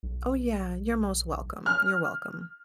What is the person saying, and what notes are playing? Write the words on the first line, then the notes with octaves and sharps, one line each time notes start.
Oh, yeah, you're most welcome, you're welcome.
B1
F6